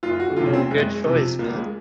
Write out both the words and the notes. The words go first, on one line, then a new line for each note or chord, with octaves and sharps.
Ooh, good choice, man.
F#1 F4
F#4
F2 C3 F4
C#4
C4
F#1 G#3
F2 C3
C#2 A#3
G#3